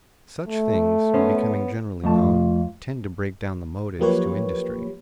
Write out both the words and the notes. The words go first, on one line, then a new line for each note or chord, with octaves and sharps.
Such things becoming generally known tend to break down the motives to industry.
A3
B3 C#4 C5
F2 A3 F4 A5
F3 F#3 A#3 G4 B4 C#5